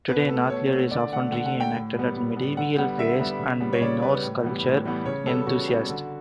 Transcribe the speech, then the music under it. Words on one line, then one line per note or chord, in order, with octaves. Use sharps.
Today, knattleikr is often re-enacted at medieval fairs and by Norse culture enthusiasts.
B2 B4
A3 A4
B2 C#5
A3
D3 D5
A3 F#5
D3 F#5
F#5
A3
G5
A2
G3 B3
A2
G3 B3
D3 F#5
G3 B3 F#5
D3 E5
G3 B3
C#3
G3 B3
C#5
C#3 D5
G3 B3 B4
A2
E3 G3 B3
A2
E3 G3 B3
C#3 C#5
G3 B3 A4
C#3 F#4
G3 B3
D3